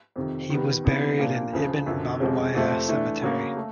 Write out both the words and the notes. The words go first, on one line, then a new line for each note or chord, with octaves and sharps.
He was buried in Ibn Babawayh Cemetery.
F2 C3 D#3
D#3 G3 B3
C3 E3 G3 B3 D#4
A#2 F3 A#3 D4
D2 C#3 F3
F#2 D3 F3
F2 C3 F3 G#3 C#4
F2 C3 F3 A3 C4
E3 A3 D4
C#3 F#3 A#3
A3